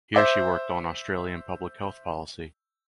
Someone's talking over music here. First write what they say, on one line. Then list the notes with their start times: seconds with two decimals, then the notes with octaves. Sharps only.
Here she worked on Australian public health policy.
0.14 C5 E5 D6